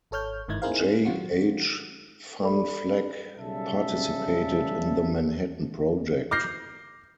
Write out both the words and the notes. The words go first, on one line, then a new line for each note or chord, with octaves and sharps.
J. H. Van Vleck participated in the Manhattan Project.
G#1 A4 C#5 F6 G6
G1 G#2 D#3 D#4 E4 G#6
D#4 E4 G#4 A#4 C5 F5
D#3 F#3 F4 F#4
A4 D5 B5
B1 C#3 G3 A4 E5
D6 F6 G6 A#6 C7